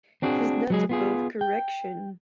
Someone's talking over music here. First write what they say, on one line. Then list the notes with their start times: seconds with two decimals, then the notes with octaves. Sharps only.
He's not above correction.
0.22 C4 D4 F#4 G#4
0.70 F#3 G#3 G#4
0.89 B3 F4 G#4
1.41 G5